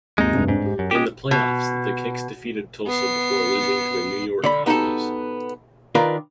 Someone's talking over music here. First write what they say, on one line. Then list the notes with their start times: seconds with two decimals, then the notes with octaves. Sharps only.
In the playoffs, the Kicks defeated Tulsa before losing to the New York Cosmos.
0.18 G#1 D#2 G#3 D#4
0.33 F1 C2 G2
0.48 G#2 D4
0.66 G4
0.79 F#2
0.91 G#3 C#4 G4 D#6
1.31 B2
2.87 B3 C7
4.44 D3 D5 B5
4.66 B3 D#4 F#4 G4 A4
5.95 D#3 D4 F4 A#4 B4